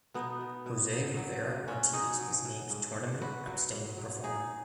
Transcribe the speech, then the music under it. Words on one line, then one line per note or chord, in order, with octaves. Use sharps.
Jose Rivera Ortiz was named Tournament Outstanding Performer.
B2 B3 D#4
B2
B2
F#3
F#3
B2
F#3 C#4 F#4
B2 D#4 G#4
F#3
B2
G#2
G#2
G#2 F#4 B4
F#3
G#2
F#3
F#3 D#4 G#4